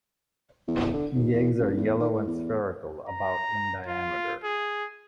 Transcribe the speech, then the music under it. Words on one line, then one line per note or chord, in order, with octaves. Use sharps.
The eggs are yellow and spherical, about in diameter.
E2
D3
D#2
E2
F#1
E2
D#3
A2
E2
A#5
F4
G#4